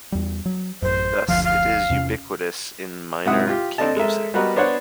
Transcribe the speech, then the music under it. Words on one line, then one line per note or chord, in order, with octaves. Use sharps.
Thus, it is ubiquitous in minor-key music.
E2 G3
F#3
A1 F#2 C5
F#1 D2 F3 F5
F5
E2 C3 C#4
G#2 C3 E4 F#5 D#6
F4 G4
C4 D4 A4 D#5 A5
G#3 A4 A#4 E5
G3 B3 F#4 A#4 B4 D#5
B3 D4 C5 C#5 F#5